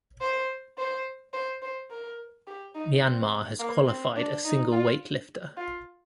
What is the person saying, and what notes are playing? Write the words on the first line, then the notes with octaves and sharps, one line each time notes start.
Myanmar has qualified a single weightlifter.
C5
C5
C5
C5
A#4
G4
D#4
C4
A#3
C4
D4
D#4
F4
F4